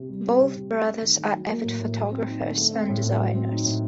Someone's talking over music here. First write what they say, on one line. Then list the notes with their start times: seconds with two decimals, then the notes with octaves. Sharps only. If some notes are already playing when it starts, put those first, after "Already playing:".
Both brothers are avid photographers and designers.
Already playing: C3
0.09 G3
0.25 C4
0.40 C3
0.56 C3
0.71 A3
0.87 D4
1.02 D#3
1.18 D#3
1.33 F#3
1.49 A#3
1.64 A2
1.80 A2
1.95 F#3
2.11 C4
2.27 D#4
2.42 D3
2.57 A3
2.73 C4
2.89 A2
3.04 A2
3.19 F#3
3.35 C4
3.50 D#4
3.66 A2